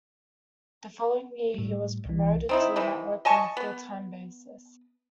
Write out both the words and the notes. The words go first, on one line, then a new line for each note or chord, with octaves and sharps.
The following year, he was promoted to the network on a full-time basis.
A2 G3
C2 E3
C4 D#4 E4
C3 D#3 E3
D#5 G#5 A5 C#6
B3